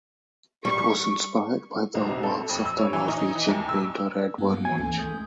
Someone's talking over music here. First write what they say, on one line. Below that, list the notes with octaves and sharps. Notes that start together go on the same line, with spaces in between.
It was inspired by the works of the Norwegian painter Edvard Munch.
G3 C#6
B1
C3
A4
F2
E6
C#5
E3
D#4
E3
D#2
E6
G2 A#3 B3
E3 C4 G#5
C#2 A3 C#4
G#3 A3 D#4 D#6 G6